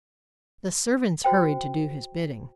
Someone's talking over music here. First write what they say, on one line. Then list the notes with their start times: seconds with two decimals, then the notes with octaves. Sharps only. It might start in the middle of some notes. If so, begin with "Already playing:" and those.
The servants hurried to do his bidding.
1.24 F#4 C5 G5